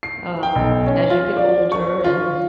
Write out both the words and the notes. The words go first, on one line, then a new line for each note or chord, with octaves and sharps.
Um, as you get older and
C7
G5
B1
C#4
F4
D5
C#6
F4